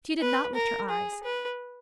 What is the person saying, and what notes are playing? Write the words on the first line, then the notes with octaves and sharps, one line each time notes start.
She did not lift her eyes.
B4
A#4
G#4
B4